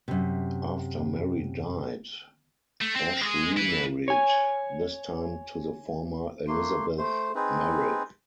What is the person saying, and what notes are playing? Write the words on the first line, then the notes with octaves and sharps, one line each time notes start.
After Mary died, Ashe remarried, this time to the former Elizabeth Merrik.
F#2 C3
A3
C4
G#3 G#4
E4 B4
C#5 G#5
A3 A#3 C6
A3 C5
C4 D#4 G#4 B4